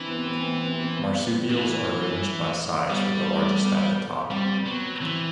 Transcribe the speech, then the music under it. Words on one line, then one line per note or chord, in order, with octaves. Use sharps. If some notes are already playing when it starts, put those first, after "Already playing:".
Marsupials are arranged by size, with the largest at the top.
Already playing: E3 C4 D4 E4
B3
C4
B3
C4
B3
C4
B3
C4
B3
C4
B3
C4
B3
E3 A3
G3 B3
A3
B3
G3 C4
C4
F#3 B3
E3 C4